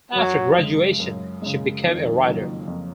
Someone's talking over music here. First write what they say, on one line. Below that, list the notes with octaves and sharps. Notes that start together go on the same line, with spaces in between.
After graduation, she became a writer.
F#2 F#3
C#3 G#3
F#2
C#3 G#3
F2 D#3
C#3 F#3 A#3 F4
F2